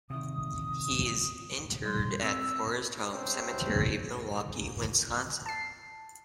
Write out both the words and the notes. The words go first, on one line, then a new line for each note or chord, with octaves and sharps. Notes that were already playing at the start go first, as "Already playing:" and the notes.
He is interred at Forest Home Cemetery, Milwaukee, Wisconsin.
C3 D#3 D#6
G3 C6
C4 E6
G#2 C3 C4 C#4
A5 C7